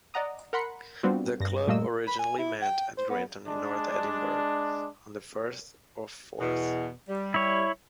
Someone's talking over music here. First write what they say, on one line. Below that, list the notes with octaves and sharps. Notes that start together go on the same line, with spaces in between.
The club originally met at Granton in North Edinburgh on the Firth of Forth.
D5 D#5 F#5 A#5 D#6
A#4 F#5 B5 C6 C#7
G3 B3 C4 D4 F4 F#4
G2 A#6
A#2 G3 A3 A#3 D#5 E6
B5
G#5
E4
G5
C5
B3
G#3 D4
E2 B2
G3
E4 C#5